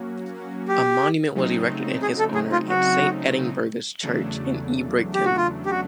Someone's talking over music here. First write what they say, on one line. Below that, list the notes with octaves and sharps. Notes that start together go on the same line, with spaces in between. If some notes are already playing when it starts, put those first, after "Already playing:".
A monument was erected in his honour at Saint Eadburgha's Church in Ebrington.
Already playing: F#3 A#3 C#4 F#4
G4
C#3 F#3 A3 C4 D#4
G#4
A4
G#4
F4
F#4
E2 C#3 F#3 A3 D4
G4
F#4
F4
G4
F#4